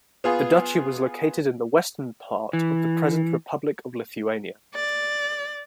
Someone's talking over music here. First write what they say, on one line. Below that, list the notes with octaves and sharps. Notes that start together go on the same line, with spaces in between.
The Duchy was located in the western part of the present Republic of Lithuania.
B3 F4 G#4
E3
D5